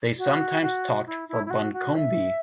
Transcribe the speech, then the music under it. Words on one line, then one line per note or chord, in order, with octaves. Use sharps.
They sometimes talked for Buncombe.
F#4
F#4
E4
E4
E4
F#4
F#4
E5